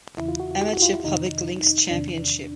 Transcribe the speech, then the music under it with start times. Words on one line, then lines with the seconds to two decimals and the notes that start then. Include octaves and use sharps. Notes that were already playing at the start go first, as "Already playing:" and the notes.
Amateur Public Links Championship.
0.18 E2 C#3 E3 E4
0.28 F4
0.40 F#4
0.51 F#4
0.61 G4
0.73 F#4
0.82 F4
0.93 E4
1.04 F2 C3 D#3 D#4
1.91 E2 C3 D#3 D4